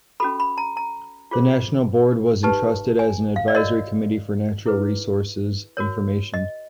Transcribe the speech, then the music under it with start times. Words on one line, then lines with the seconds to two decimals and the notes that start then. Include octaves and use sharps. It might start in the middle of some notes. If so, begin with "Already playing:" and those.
The national board was entrusted as an advisory committee for natural resources information.
0.20 C#4 F#4 A4 B5
0.40 B5
0.58 A#5
0.77 A#5
1.31 F4 G#4 C5
2.43 D#4 G4 B4 A5
2.99 G#5
3.36 F5
3.48 D5
3.55 F#4 A#4 C#5 D#5
4.66 E4 G#4 B4
5.77 F#4 A#4 C#5
6.34 D#5